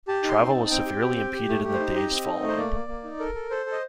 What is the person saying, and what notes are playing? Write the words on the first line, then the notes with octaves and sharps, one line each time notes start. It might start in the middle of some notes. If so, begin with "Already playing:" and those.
Travel was severely impeded in the days following.
G4 A5
D#4
C6
C4
A5
D#4
C4 G5
G4
C4
G4
G4
A3
G4
C5
D#4
G4 D#5
C4
D#4
A3
C5
A#3 D5
A#3
A#3
D#4
A4 A#4
A4
A4 C5
A4
D#5